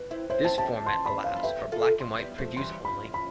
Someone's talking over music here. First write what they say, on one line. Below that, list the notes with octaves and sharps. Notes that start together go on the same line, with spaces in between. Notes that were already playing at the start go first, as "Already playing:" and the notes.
This format allows for black-and-white previews only.
Already playing: B4
C4 E4
C4 E4 C5
C4 E4 A5
E4 G4 A5
C6
B5
F5
A4
G4 B4 E5
F4 A4
C6
G3 B3
F3 A3
E3 G3 C6
F3 B5
B5